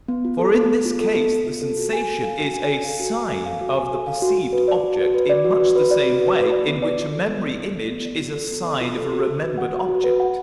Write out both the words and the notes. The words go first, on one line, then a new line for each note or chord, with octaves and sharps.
For in this case the sensation is a SIGN of the perceived object in much the same way in which a memory-image is a sign of a remembered object.
B3
F4
A4
B3
B3
F4
A4
B3
B3
F4
A4
F#4
G#5
A4
F5
F#4
G#5
A4
F5
F#4
G#5
A4
F5
F#4
G#5
A4
F5
F#4
F#4
B4
D5
F#4
F#4
B4
D5
F#4
F#4
B4
D5
F#4
F#4
B4
D5
B3
D5
F4
A4
B3
D5
F4
A4
B3
D5
F4
A4
B3
D5
F4
A4
F#4
F#4
B4
F#5
F#4
F#4
B4
F#5